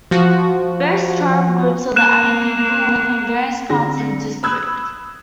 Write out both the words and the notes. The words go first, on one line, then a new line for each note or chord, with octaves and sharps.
Various tribal groups of the Adi people live in various parts of the district.
F3 F#4
A#3 F#6 E7
D3 C4 G#4 A#6
B5 D#6 E6 F#6 G#6